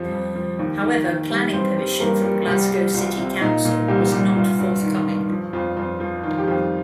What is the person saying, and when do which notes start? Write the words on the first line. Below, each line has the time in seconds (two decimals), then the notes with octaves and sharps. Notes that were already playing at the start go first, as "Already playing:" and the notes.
However, planning permission from Glasgow City Council was not forthcoming.
Already playing: F2 F3 G3
0.12 F2
0.35 F3
0.59 D#2
0.83 D#3
1.06 D#2
1.30 G3
1.53 G2 C4 C5
1.77 G3
2.00 G2 A#3 A#4
2.24 G3
2.47 C2 G3 G4
2.71 G3
2.94 C2 F4
3.18 C3
3.41 A#2 D#4
3.65 A#2 F4
3.88 C2 G3 G4
4.12 C2 G3 G4
4.35 G2 F4
4.59 G2
4.83 D#3
5.06 G2
5.30 F3
5.53 F2 F4
5.77 F2 F4
6.00 F3 F4
6.24 D#3 F4
6.38 G4
6.47 F2 F4